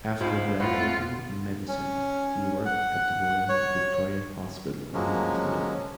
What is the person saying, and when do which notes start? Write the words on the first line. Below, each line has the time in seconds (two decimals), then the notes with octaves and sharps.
After graduating in Medicine he worked at the Royal Victoria Hospital in Montreal.
0.20 C#2 G#2 F4 C5
0.60 F2 A2 F4 F#5
1.68 C#4
2.65 F#5
3.49 C#5
4.93 F3 F#3 G#3 A#3 C#4